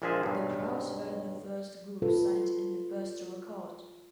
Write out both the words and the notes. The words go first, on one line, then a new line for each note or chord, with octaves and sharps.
The Crows were the first group signed and the first to record.
A#1 A#2 F3 G#3 G#4 E5
B1 G2
F4 A4 B4